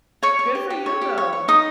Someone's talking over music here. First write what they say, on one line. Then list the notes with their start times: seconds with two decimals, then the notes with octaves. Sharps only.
good for you, though.
0.23 C#5 C#6
0.39 C#5
0.55 G4
0.70 G4
0.86 C#5
1.02 G4
1.18 C#5
1.33 C#5
1.48 D#4 D#6